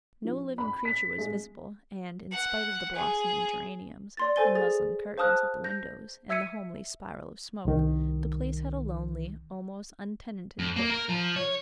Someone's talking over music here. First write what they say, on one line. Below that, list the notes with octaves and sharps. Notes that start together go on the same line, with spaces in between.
No living creature was visible and, in spite of the blossoming geraniums and muslin curtains at the windows and the homely spiral of smoke, the place had a lonely, almost untenanted, look.
F3
B5
B6
G#3
F#5
G#4
D5 C6 A6
A4 C5 G#5 A6 G7
G#4 A6
C5 F5 A5 D#6 F6 F#6
G6 A#6
E5 E6 G#6 B6 C#7 D#7
C2 D#3
F2
A#3
A#4
F3
C#5